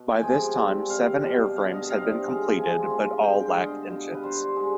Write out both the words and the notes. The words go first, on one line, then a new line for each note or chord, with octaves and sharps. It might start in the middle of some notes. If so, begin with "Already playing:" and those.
By this time seven airframes had been completed, but all lacked engines.
Already playing: B2
G#5
C3 F3 G#3 G5
C3 G3
C3 G3 F5
B2 G3
D3 G3 F5
D#5
C3 G3 F5
B2 G#3
C3 F3 G#3 G#5
D3 F3 G#3
D3 G#3 G5
G5
F5
D3 G3 D#5
B2 G3
B4
D3 G3 C5
D3 G#3